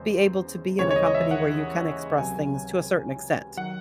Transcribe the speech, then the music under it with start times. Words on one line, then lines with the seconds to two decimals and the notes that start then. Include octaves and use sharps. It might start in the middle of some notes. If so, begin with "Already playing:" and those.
be able to be in a company where you can express things to a certain extent.
Already playing: E2 C#3 G#3 C5
0.79 D#2 C#3 E3 G#3 C#5
0.91 C#5
0.96 D#5
1.06 D#5
1.15 E5
1.31 F#5
2.18 C#2 C3 F#3 G#5
3.57 D#3 F#3 F#5